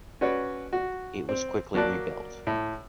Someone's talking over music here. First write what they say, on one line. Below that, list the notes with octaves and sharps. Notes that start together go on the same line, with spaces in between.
It was quickly rebuilt.
C#4 F#4 B4 C#5 D5
F#4
C4
F#3 A#3 D5 A5 F#6
A2